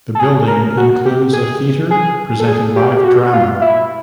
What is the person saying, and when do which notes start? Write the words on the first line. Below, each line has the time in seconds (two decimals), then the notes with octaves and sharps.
The building includes a theatre presenting live drama.
0.15 A4
0.20 G#4
0.48 A#4
0.77 F#4
1.05 G4
1.33 G#4
1.91 G#4
2.40 A4
2.48 G#4
2.76 G4
2.97 G4
3.04 F#4
3.33 F4
3.61 E4